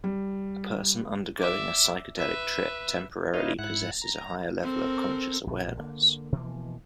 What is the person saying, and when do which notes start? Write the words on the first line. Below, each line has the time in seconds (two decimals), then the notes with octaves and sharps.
A person undergoing a psychedelic trip temporarily possesses a higher level of conscious awareness.
0.04 G3
1.39 D5 E5
2.17 B4 E5
3.34 D#4 E4 B4 C#5 D#5 F5
3.59 G#2 E4 F#5 F#6
4.02 A#5
4.63 C4 A4 A#4
5.47 A#1 B2
5.77 D3 A#3
6.32 B2 E3 F3 A#3